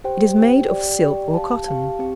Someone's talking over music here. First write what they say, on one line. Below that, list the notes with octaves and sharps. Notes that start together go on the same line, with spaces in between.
It is made of silk or cotton.
G4 C5 G5
G4 C5 G5
G4 D5 G5
G4 D5 G5
G4 F5 A5
G4 F5 A5
C4 G4